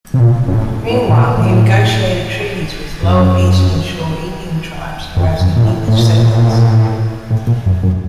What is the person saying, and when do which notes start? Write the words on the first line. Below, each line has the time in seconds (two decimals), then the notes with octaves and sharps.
Meanwhile, he negotiated treaties with Lower Eastern Shore Indian tribes harassing English settlers.
0.14 C3
0.20 A#2
0.48 F#2
0.54 A2
0.90 A2
1.09 A2
1.14 A#2
1.38 A2
3.03 F#2
5.17 F2
5.40 F#2
5.57 A#2
5.64 A2
5.88 A2
5.98 A#2
6.08 A2
6.18 A#2
6.29 A2
6.38 A#2
6.48 A2
6.57 A#2
6.68 A2
7.31 A2
7.47 A#2
7.66 F#2
7.83 F#2